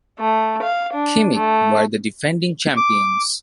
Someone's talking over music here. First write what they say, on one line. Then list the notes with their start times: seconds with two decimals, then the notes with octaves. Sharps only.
Khimik were the defending champions.
0.19 A3
0.63 F5
0.93 D4
1.34 A3
2.77 D6